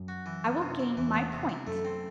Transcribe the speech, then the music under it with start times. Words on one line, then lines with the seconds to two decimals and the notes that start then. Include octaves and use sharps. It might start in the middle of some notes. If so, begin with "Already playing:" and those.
I will gain my point.
Already playing: F#2
0.08 F#4
0.26 E3
0.45 B3
0.62 C3
0.79 E4
0.97 E2 E3
1.14 B3
1.32 C3
1.49 E4
1.67 F#2 A3
1.85 C4